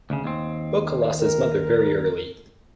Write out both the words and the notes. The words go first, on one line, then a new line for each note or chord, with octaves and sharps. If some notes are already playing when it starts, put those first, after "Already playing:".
Boka lost his mother very early.
D2 C#3
D#2 C4
A#4